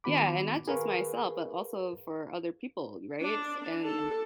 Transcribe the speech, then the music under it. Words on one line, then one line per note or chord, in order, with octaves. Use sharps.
Yeah, and not just myself, but also for other people, right? S and
D#3 B3 F#4 B5 D6
G#4 A#4 B4 F5 C#6
D4
A4